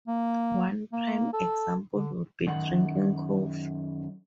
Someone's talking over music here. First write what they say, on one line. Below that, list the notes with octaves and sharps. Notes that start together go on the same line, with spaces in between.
One prime example would be drinking coffee.
A#3
A#3
A4
D3
F#2 D#3 F#5